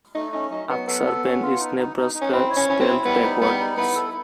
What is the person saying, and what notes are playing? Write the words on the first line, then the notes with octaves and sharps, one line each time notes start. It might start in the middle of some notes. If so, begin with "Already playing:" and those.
Ak-Sar-Ben is "Nebraska" spelled backwards.
A3 D#4
C#4 D#4
F#3 D#4
F#3 B3
B3 A4
A4
C#4
F4
D#4
D#4
D#4
D#4
C#4
C4 E4
C#5
C#4
C#4 E4
C4
E4
G3 B3
D#4
G3 B3
D#4
B3 E4
A4